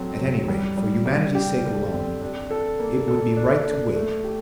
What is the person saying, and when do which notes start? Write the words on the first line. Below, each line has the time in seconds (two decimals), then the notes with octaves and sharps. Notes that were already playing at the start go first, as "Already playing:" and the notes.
At any rate, for humanity's sake alone, it would be right to wait.
Already playing: F#3 C4 A4
0.19 F#3
0.48 G3
0.77 G3
1.06 G3
1.35 G4
1.64 D3
1.92 C4
2.21 D4
2.51 A4
2.80 A#3
3.08 A4
3.37 D4
3.66 A4
3.95 A3
4.24 G4